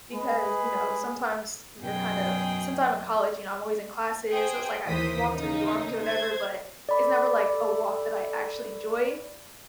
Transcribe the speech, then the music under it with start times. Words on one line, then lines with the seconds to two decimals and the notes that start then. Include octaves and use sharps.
because, you know, sometimes you're kind of since I'm in college, you know, I'm always in classes, so, it's like I walk to the dorms or whatever, but it's never, like, a walk that I actually enjoy,
0.13 G#3 G#4 B4 B5
1.80 F#2 B2 G#4 G5
4.30 G#4 C5 G5
4.87 D#2 E3 A#4 C5 D#6 B6
5.33 C#3 A#3 D#4
6.04 C5 G#6
6.89 A4 D5 B5 D6